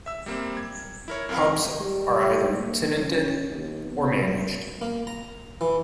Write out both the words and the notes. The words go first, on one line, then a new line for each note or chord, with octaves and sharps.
Pubs are either tenanted or managed.
E5 E6
G3 A#3 C4
G#6
E4 A#4 C#5
F#2 C4 A#4 F5 B5
G3
A#3
C#4
D#2
B3
F#3
A#3
A#5
E3